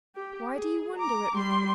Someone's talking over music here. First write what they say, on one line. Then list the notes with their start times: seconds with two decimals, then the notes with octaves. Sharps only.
Why do you wonder at me?
0.16 G4
0.53 G#4
0.97 A#5 D6
1.36 G3 C6